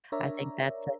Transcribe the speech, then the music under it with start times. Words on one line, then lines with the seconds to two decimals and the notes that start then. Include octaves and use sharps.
I think that's a
0.12 D4 A#4 C#5 D5 E5 A#5